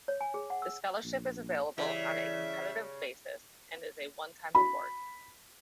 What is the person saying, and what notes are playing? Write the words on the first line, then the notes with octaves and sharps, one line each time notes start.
The scholarship is available on a competitive basis and is a onetime award.
C#5
G#5
G#4
F#5
E6
A#1
C#3 E3 G3 E5
B5